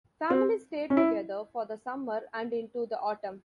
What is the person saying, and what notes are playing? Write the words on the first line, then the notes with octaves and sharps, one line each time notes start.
Families stay together for the summer and into the autumn.
C4
C#4
E4